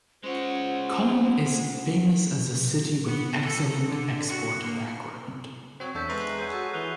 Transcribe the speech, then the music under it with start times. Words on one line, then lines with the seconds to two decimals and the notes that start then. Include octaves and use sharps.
Kollam is famous as a city with excellent export background.
0.23 G#3 C#4 F4 C5 C#5 F#5
3.05 B3
3.41 A4
3.88 D3
4.28 F#4
4.60 A#3
5.80 F#3 C4 C#5
5.95 E2 D4 A4 C#6 G6 B6
6.09 G#3 B4 E5 A#5 C6 F#6 C7
6.38 G#4 C#5 F#5 F#6 G6 D#7
6.52 F#4 A4
6.74 E3 B3 F#6 F7 G7